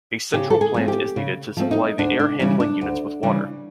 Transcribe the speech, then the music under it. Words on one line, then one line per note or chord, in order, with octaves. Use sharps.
A central plant is needed to supply the air-handling units with water.
C#3 G4
A4
G#4
F3 A3 C4
G4
C#3
F3 A3 C4
D#4
D2 D4
D4
C#3 E3 G3 C#4
D4
D2
C#3 E3 G3